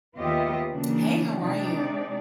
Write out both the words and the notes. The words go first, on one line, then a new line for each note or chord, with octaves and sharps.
Hey, how are you?
D#2 B3 F4 G4 D#5 E5
C#3 E3 F#3 A#3 D4
C3 G#3 D4 D#4 D5